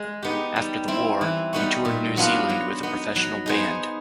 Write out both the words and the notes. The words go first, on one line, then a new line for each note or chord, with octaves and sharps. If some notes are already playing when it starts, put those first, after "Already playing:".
After the war, he toured New Zealand with a professional band.
Already playing: G#3
B3 D#4 G4
G3
C4 E4
E3
G3 B3 D#4 F#4
A#2
F#3 B3 D4 F4
F#3
B3 D#4
F#3
B3 D#4 G#4 C5